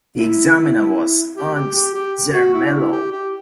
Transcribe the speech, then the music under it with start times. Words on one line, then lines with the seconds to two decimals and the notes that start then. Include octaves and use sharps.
The examiner was Ernst Zermelo.
0.18 E4
1.36 G4
1.55 G4
1.75 G4
1.94 G4
2.33 F#4
2.54 E4
2.66 D4
2.73 E4
2.92 G4
3.11 G4